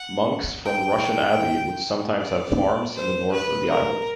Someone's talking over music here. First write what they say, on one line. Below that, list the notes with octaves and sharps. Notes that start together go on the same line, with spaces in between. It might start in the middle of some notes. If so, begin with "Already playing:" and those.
Monks from Rushen Abbey would sometimes have farms in the north of the island.
Already playing: F#5
G5
D5
C5
B4
A#4